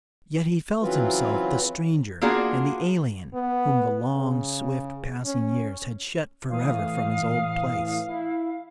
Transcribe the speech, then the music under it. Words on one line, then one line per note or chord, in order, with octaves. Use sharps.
Yet he felt himself the stranger and the alien, whom the long, swift-passing years had shut forever from his old place.
C#3 E3 F#3 C4 F4 B4
A#3 B3 D4 F4 F#4 G#4
B3
C#3
C#4
A2 E3 F5 D#6
E4